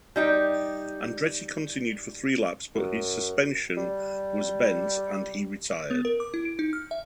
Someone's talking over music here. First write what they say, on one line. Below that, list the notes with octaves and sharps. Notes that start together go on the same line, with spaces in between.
Andretti continued for three laps, but his suspension was bent, and he retired.
G3 D#4 G4
F#2
G3
B3
A#4
D6
E4
D7
D#4
F6
E5